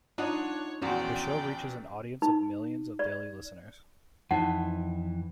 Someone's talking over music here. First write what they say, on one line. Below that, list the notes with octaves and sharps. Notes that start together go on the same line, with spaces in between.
The show reaches an audience of millions of daily listeners.
D4 D#4 F4 C#5 F#5
A#1 E2 C4 C#4 F#4 D5 G5
D#4
D5
F2 E3 D#4 F#5